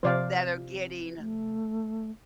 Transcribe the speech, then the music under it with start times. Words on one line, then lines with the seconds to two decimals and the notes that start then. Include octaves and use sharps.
that are getting
0.03 C3 F3 C5 D5 F5
1.18 A3